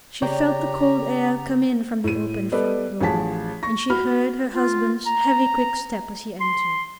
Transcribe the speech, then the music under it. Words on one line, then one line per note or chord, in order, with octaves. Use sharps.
She felt the cold air come in from the opened front door, and she heard her husband's heavy, quick step as he entered.
C#3 G4 C#5 D5 G5 A#5
A2 D#7
G3 B3 A4 B4 D5 D#5
A1 F3 G#4 A5 B6
C#6 A#6
F#4 B5 F6
F4
A#5
C6